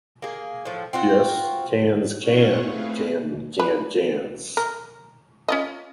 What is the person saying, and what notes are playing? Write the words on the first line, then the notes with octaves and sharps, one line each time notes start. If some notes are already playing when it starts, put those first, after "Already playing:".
Yes, cans can can canned cans.
A#3 G#4
A2 F3
C4 F4 F#4
C#4 E4 F4 C#5 F#5 C#6
A3 C4 G#4 B4 F5
B4
A#4
C#4 F4 D#5